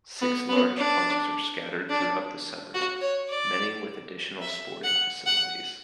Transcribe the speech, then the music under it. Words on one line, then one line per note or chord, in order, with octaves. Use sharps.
Six large parks are scattered throughout the suburb, many with additional sporting facilities.
B3
B3
D4
D4
F#4
C#5
D5
E5
F#5
F#5